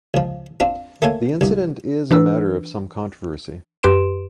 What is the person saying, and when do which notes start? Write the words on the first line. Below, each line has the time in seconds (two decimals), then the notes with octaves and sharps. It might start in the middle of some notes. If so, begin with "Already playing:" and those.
The incident is a matter of some controversy.
0.14 C#2 F3
0.60 C4 D4 F4
1.02 A3 A#3 A4 C#5 G#5
1.41 C2 G2
2.11 E3 D4 B4 E6
3.83 F#2 G4 B4 C6 D7 E7